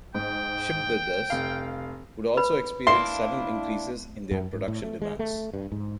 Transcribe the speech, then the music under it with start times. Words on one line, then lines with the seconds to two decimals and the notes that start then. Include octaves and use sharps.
Ship builders would also experience sudden increases in their production demands.
0.14 G#2 G5
1.30 F1 F5
2.37 B4 B5
2.87 A#3 D4 E4 E5 C6
4.31 F#2
4.53 G#2
4.68 A2
4.83 A3
5.02 G#3
5.19 A3
5.53 G2
5.72 G#2